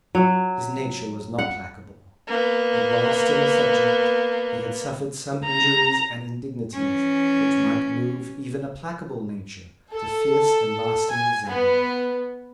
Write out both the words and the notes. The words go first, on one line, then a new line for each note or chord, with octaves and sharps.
His nature was not placable; and, while still a subject, he had suffered some injuries and indignities which might move even a placable nature to fierce and lasting resentment.
F#3
F#5
A#3 B3
A#5
E3 C#4
A4
G#5
B3